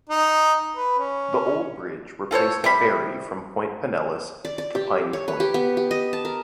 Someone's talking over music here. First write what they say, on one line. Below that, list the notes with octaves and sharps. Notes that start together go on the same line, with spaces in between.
The old bridge replaced a ferry from Point Pinellas to Piney Point.
D#4
B4
C#4
F4 A4 C5 C#5
C3 G3 B5
D5
D5
G4
C#5
B4
G4
B3
G4
D#5
A5
A#4